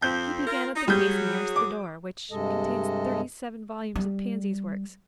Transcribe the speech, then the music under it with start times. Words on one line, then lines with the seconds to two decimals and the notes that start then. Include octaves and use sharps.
He began at the case nearest the door, which contains thirty-seven volumes of Pansy's works.
0.02 F2 C4 G6
0.46 F4 A#4
0.76 D#4
0.88 F#3 G3 G#4 G6
1.56 D6
2.32 G2 C3 G#3 A4 D#5
3.96 G3